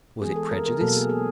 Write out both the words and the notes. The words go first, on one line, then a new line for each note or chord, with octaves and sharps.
Was it prejudice?
E3 G#3 B3 G#4
A4
A#4
A#4
B2 F#3 A#3 A4
G#4
G#4